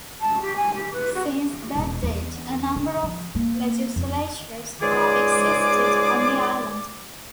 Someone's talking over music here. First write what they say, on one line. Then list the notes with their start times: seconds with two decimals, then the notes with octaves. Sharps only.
Since that date a number of legislatures have existed on the island.
0.20 A5
0.41 G4
0.56 G#5
0.74 G4
0.92 B4
1.14 F#4
1.75 E1
2.03 E2
2.76 D3
3.03 F3
3.35 A#3
3.96 F2
4.81 C#2 G#2 G#3 G#4 D5 D6